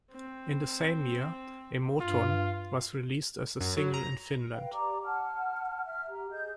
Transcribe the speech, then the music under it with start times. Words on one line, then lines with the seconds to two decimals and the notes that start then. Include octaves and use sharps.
In the same year, "Emoton" was released as a single in Finland.
0.12 C4
2.00 G2 F4
3.61 F#2
3.77 F#3
3.94 A#5
4.54 B4 F5 G5
4.73 G4 D5 A#5 D6
5.04 F#5 A5 F6
5.85 E5 F6
6.08 G4 A#5
6.31 G#4 D#5 G6